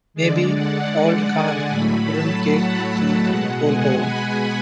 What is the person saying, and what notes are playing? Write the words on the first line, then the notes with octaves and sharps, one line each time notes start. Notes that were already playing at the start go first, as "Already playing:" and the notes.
Maybe auld Khan wouldn't get through the coal-hole.
D3 G#3 D5
F#5
F#5
G#5
A2 F#3 A3 B5
A5
F#5
F#5
B2 G#3 F#5
G#5
B5